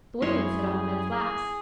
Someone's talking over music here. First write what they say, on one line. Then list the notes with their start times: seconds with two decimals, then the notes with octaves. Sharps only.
The women sit on the men's laps.
0.22 F#2 E4 G#4 C#5 C6
1.11 G#4